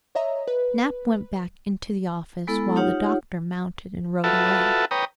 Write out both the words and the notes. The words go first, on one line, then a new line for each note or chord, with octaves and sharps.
Nap went back into the office while the doctor mounted and rode away.
C#5 D#5 E5 A#5
B4
G#3 B3 E4 A4
D#4 F4 G4 C#5 F#5
F4 F#4 A4 B4 E5 A5
B4 C#5 G5 A#5 D#6